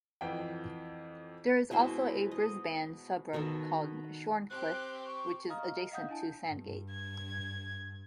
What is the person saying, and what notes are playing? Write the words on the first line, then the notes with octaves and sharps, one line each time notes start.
There is also a Brisbane suburb called Shorncliffe, which is adjacent to Sandgate.
F2 E3 F#5 G5
B2 G#3 E4 C5
D#5
B2 D#3 B3 A4
C4 G4 F#6
C#6
D#5 F5 A#5 D#6 F6
D#5 F5 F#5 D#6 G6
D4 E4 G#5 A5
G2
G#6